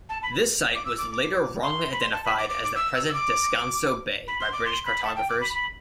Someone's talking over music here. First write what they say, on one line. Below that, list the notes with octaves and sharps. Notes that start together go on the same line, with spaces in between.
This site was later wrongly identified as the present Descanso Bay by British cartographers.
A5
B5
D6
E6
D6
D6
C6
B5
C6
A5
B5
D6
D6
D6
E6
E6
D6
B5
C6
D6
C6
B5
B5
A5
G5
D6
B5
B5